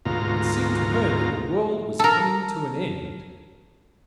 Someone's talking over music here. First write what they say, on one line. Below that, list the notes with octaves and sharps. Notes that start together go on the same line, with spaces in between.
It seemed to her that the world was coming to an end.
D2 G#2 B2 F4 A#5
A4 A#4